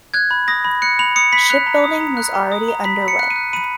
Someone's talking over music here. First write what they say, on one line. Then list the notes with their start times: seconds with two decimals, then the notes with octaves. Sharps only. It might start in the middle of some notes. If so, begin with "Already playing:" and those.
Shipbuilding was already underway.
0.14 F#6 G#6
0.31 B5
0.48 D#6 A#6
0.65 B5
0.82 F#6 C#7
0.99 B5 F7
1.16 D#6 C#7
1.33 B5 B6
1.50 F#6 F7
1.66 A#5
1.84 D#6
2.00 A#5
2.17 F#6
2.34 A#5
2.52 D#6
2.68 A#5
2.85 B5 B6
3.02 B5
3.08 C#7
3.19 F#6
3.30 D#7
3.36 F#6
3.53 B5 D#7